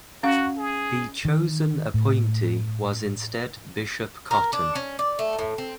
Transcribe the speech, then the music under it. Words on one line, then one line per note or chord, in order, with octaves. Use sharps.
The chosen appointee was instead Bishop Cotton.
C#4 F#4 F5
G#4
D#3
A2
A#4
D4
C#4
D5
A3
A2
C4